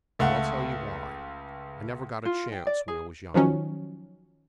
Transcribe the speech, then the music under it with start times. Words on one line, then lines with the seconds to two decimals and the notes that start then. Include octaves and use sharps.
And I'll tell you why; I never got a chance when I was young.
0.19 C#2 A3 F5 F#5
2.25 F4
2.52 G5
2.67 D5
2.88 G#4
3.34 D#3 F3 F#3 C#4